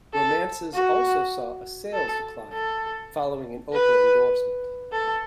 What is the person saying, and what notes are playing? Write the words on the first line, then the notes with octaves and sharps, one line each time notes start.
Romances also saw a sales decline, following an Oprah endorsement.
A4
F#4
A4
A4
B4
A4